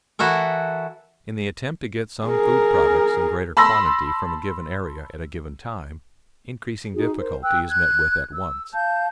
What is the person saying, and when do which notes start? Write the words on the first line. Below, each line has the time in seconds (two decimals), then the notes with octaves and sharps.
In the attempt to get some food-products in greater quantity from a given area at a given time, increasing difficulty is met with at once.
0.19 E3 E4 F#4 A4 A#4
2.26 G#4 A#4
3.57 A5 B5 C6 E6 A#6
6.95 D#4 F#4 G#4
7.18 A#4 C5
7.43 G5 E6 F#6
7.68 F#6 G#6
8.33 E6
8.73 F5 A5 G6